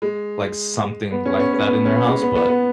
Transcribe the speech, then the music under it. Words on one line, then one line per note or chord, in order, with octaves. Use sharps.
like, something like that in their house, but
G#3
B3
C#4
B3
C#4
C#4
B3
C#4
B3
G#3
B3
B3
B3